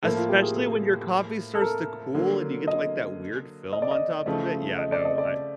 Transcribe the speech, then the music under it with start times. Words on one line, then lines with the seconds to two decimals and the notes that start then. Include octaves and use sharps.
Especially when your coffee starts to cool, and you get, like, that weird film on top of it, yeah, no, I
0.03 A2 F3 A#3 A4
0.16 F4
0.29 G4
0.42 G#4
0.56 A4
1.55 A4
1.62 A#4
2.15 D3 F#3 A#3
2.68 D#5
3.73 D#5
3.82 D5
3.91 D#5
4.26 C#3 F3 A3
4.78 D#5
4.92 D5
5.05 D#5
5.18 D5